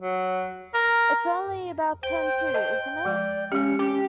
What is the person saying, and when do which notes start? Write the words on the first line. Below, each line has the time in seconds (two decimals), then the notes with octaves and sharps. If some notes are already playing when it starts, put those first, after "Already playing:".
It's only about ten to, isn't it?
0.01 F#3
0.74 A#4
2.03 C5 G5
2.54 D#5 A5
3.05 F3 G#3 D5
3.52 G#3 C#4 G4 C#7
3.79 C#4 G4 D6